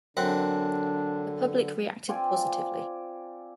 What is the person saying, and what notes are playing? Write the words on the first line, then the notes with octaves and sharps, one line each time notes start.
The public reacted positively.
F#2 D3 C4 D4 F#5
C4 F4 D5 G#5